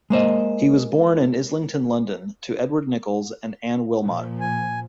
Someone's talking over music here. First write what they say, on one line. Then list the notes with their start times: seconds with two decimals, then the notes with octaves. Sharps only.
He was born in Islington, London to Edward Nichols and Anne Wilmot.
0.10 G#3 A#3 C5 D#5
4.03 A#2 F3
4.41 G#5